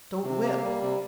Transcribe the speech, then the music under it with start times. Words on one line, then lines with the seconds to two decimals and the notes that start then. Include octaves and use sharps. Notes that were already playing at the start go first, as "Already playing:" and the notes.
"Don't whip."
0.24 C3
0.42 A#3
0.62 G3
0.82 C3